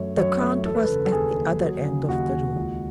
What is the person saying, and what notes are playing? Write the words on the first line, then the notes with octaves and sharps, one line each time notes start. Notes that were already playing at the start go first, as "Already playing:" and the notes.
The count was at the other end of the room.
Already playing: F#2 A3 C#5
F#2 C#5
A3 C#5
E1 A4
B4
C#3 A4
A4
D#2 G#4
D#2
F#3
C#3
D#2 F#4
D#2
C#2